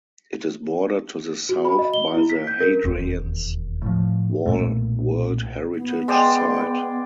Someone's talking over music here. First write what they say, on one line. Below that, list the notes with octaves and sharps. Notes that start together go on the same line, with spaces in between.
It is bordered to the south by the Hadrian’s Wall World Heritage Site.
F#4
B5
D#5
G7
E4
B6
G6
A#4
E1 D#2
A2 F3
B1 A#2 A3
B3
G#3 D5 G5